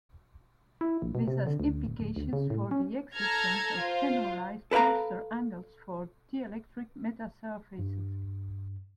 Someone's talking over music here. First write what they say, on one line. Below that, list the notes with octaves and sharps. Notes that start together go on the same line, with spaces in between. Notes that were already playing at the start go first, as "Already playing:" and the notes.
This has implications for the existence of generalized Brewster angles for dielectric metasurfaces.
E4
A#1
B2
C3
D3
D2
D#1
D1
D2
C#3
A2
C#4
A4 A5 A#5 F6 G#6
F4 C5
A4 B4 D5 F5 A#5
G2